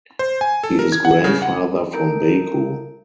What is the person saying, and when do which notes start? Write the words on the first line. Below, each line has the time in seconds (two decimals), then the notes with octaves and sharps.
He is grandfather from Baku.
0.19 C5
0.41 G#5
0.63 A4
0.79 A#4
0.92 G#6
1.05 F#5
1.24 C#3
1.42 F#5
1.93 D#4 A4 A#4 A#5 G6 D7